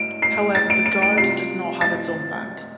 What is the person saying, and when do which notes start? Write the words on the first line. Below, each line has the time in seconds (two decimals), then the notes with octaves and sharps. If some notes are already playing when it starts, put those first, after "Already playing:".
However, the Guard does not have its own band.
Already playing: D7
0.22 C7
0.55 A6
0.70 D7
0.86 D7
1.02 D7
1.18 C3 G3 F4 C7
1.81 A6